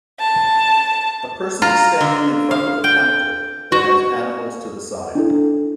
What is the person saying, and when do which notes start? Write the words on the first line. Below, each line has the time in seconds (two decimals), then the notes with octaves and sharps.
A person is standing in front of a counter, that has animals to the side.
0.20 A5
1.62 F4 A#5
2.01 D3
2.51 F5
2.84 G5
3.72 F#4
5.15 D4 E4 A4